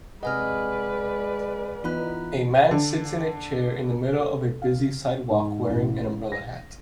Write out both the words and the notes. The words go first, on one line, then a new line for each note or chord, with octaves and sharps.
A man sits in a chair in the middle of a busy sidewalk wearing an umbrella hat.
C3 G#3 B4 D5 D#5 F#5 G#5 F6
E3 B3 D#4 F4 B5 F#6
D3
A4
F5
G#2
A1
A#6